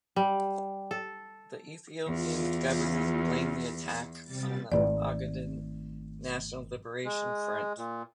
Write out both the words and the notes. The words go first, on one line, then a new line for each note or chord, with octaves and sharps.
The Ethiopian government blamed the attack on the Ogaden National Liberation Front.
G3
A4
E2 F4
C3 G3 A6
G#1 A3 D5
G#3
A#2